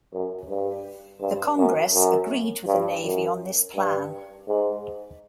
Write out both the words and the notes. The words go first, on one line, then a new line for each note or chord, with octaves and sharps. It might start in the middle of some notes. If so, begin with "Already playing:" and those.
The Congress agreed with the Navy on this plan.
F#2
G2
G2
F#2
F#2
G2
F#2
G2
G#2